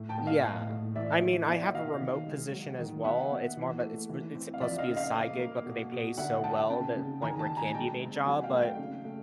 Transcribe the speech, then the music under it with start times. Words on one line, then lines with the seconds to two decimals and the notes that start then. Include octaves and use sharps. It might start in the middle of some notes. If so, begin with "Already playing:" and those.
Yeah. I mean, I have a remote position as well, it's more of a it's s it's supposed to be a side gig, but they pay so well that the point where it can be a main job but,
Already playing: A2
0.09 G5 A5
0.18 B3
0.26 D#5 F5
0.44 A2
0.69 A2
0.96 E3 D5 E5
1.22 E3
1.48 B3 D5 E5
1.74 B2 D#5 F5
2.00 D#3
2.27 G#3
2.52 F#3
2.78 D#3
3.04 B3 E5 F#5
3.31 B3
3.57 E3
3.83 A3
4.09 E3
4.35 C4
4.54 F5
4.61 F3 D5 E5
4.78 D#5 F5
4.88 C#3
4.96 D#5 F5
5.14 A#3
5.40 A#3
5.66 B2
5.92 B2
6.18 D3 E5 F#5
6.44 D3 G5 A5
6.70 C#3 G5 A5
6.96 C#3
7.22 D#3 G#5 A#5
7.39 G5 A5
7.48 D#3
7.57 G#5 A#5
7.74 G#3 G5 A5
8.00 C4
8.26 F#3 F#5 G#5
8.43 F5 G5
8.52 A3
8.61 F5 G5
8.79 C#3
9.04 A3